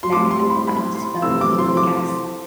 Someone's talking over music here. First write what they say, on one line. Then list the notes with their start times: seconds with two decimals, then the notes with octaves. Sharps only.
night, kinda got used to the you know, the guests,
0.03 C6
0.12 A2 G3 C4 D6
0.31 C6
0.50 B5
0.67 B5
0.95 C6
1.22 C3 E3 A3 C4 E6
1.41 D6
1.58 C6
1.77 D6